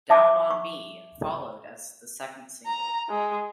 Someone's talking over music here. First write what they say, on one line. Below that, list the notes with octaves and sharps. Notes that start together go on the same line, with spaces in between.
"Down on Me" followed as the second single.
E5 A5 D6
C#6
A#5
G#3